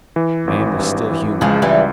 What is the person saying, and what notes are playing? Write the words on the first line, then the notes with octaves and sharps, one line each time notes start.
Man was still human.
E3
G#1
G2
E3
C#2 F3 G#3
E3 G3